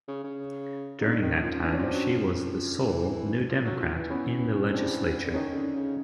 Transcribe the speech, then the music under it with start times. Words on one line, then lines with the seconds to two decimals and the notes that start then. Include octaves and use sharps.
During that time, she was the sole New Democrat in the legislature.
0.08 C#3
0.24 C#3
1.01 D3 C#4 D#4
1.22 D#3
1.42 F3
1.63 E3 D4
1.73 C#4
1.78 F3 C4 D4
1.94 F#3
2.09 F3
2.88 E3
3.49 F3
3.65 F#3
3.80 F3
3.95 E3
4.10 B3 C#4
4.72 C4 D4
5.24 D3
5.34 D#3 C#4 D#4
5.54 D3
5.76 C#3